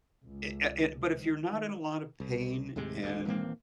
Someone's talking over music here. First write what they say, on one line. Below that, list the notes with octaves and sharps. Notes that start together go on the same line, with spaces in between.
e uh, e but if you're not in a lot of pain and
C#2
D#3
C2
D#2 A2 C3 G#3
D#1 G#1 D2
D#1 E3 A#3 C4